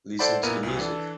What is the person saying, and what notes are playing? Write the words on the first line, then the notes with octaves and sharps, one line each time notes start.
Listen to the music...
E4 A4 C5 D5 F#5 B5
A#2 B3 E4 A#4 D#7
C2 B2
E3 D4 A4